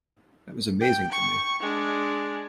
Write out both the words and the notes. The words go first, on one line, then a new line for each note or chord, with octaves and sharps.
That was amazing to me.
G5
C#6
G#3 D4